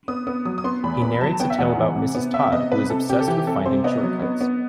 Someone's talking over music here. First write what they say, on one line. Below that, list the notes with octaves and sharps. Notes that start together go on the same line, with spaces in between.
He narrates a tale about Mrs. Todd, who is obsessed with finding shortcuts.
B3 D#6
B3 D#6
F#3 D#6
D#6
B3 C6
E2 B5
B3 B5
F#3 A5
B3 G5
E5
E2 F#5
E3
C3
B3
C3 E5
B3 D#5
C3 B4
C3 A4
C3 G4
A4
E3 G4
C3 A4
C3 C5
B3 D#5
F#3
B3
B3